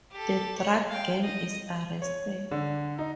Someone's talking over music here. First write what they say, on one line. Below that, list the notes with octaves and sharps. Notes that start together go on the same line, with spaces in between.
The drug gang is arrested.
G4 A4
C#5
F5 G5
D#5
C#5
D3
D#4